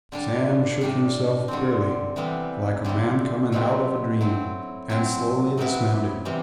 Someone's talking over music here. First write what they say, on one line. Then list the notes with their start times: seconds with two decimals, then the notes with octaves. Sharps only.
Sam shook himself queerly, like a man coming out of a dream, and slowly dismounted.
0.12 D3 G3 D4
0.81 A2 G3 D4
1.48 D3 G3 C4
2.16 C3 E3 G3 B3 E4
2.84 D3 G3 C4 E4
3.52 B2 F#3 A3 C4 E4
4.21 F#3 C4 E4
4.90 F#3 C4 E4
5.57 C3 F#3 B3 E4
6.25 C3 E3 G3